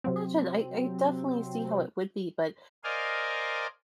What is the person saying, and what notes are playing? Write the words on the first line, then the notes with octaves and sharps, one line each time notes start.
can imagine. I I definitely see how it would be, but
C3 F#3 C4
A#4 C5 D5 D#5 F5 G#5